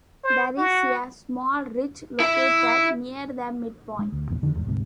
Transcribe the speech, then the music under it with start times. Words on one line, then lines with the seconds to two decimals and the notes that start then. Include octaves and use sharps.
There is a small ridge located near the midpoint.
0.24 C5
0.57 F#4
2.20 E4 E5
3.99 G#3
4.12 D2
4.29 A#1 E2 A#2
4.42 F2 D3 D#3
4.54 G1 E2 G#2
4.67 D2 G#2 C3